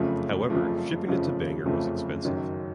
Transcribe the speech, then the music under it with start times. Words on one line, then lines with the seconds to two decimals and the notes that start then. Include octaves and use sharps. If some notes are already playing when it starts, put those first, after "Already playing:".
However, shipping it to Bangor was expensive.
Already playing: F#1 F2 C#3 F3 A3
0.49 F#1 F2 C#3 F3 A3
1.08 F#1 F2 C#3 F3 A3
1.66 F#1 F2 C#3 F3 A3
2.25 F#1 F#2 D#3 F#3